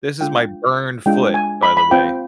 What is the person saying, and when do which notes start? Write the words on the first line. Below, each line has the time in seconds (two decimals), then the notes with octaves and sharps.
this is my burned foot, by the way.
0.21 G#3 D4 F4 G5
1.06 G#3 D4 F4 G5
1.34 G#5
1.63 B5
1.77 B5
1.91 C4 F4 G5